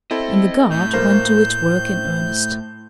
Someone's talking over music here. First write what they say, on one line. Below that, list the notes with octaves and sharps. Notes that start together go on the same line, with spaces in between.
And the Guard went to its work in earnest.
C4 E4 A4 D#5
A2 G6
A#3 C5